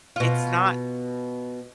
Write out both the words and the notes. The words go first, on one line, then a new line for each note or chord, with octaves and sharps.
it's not
B2 F4